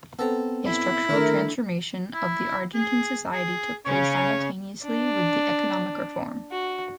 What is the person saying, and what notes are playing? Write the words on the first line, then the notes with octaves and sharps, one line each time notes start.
A structural transformation of the Argentine society took place simultaneously with the economic reform.
B3 C4 A4 A#5
E4
D3 D#3 A3 A#4
E4
G#4
G#4
C#3 C#4 C#5
D4
F#4